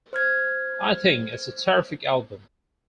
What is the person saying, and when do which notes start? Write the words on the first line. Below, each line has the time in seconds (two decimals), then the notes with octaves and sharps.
I think it's a terrific album.
0.13 C5 F6 G#6